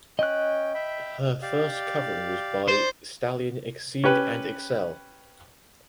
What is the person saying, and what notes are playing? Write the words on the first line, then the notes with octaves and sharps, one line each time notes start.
Her first covering was by stallion Exceed And Excel.
C#4 D#5 G5 F#6
E5 G5 B5
G4 D5 F5
C5 D5
C#4 G4 B4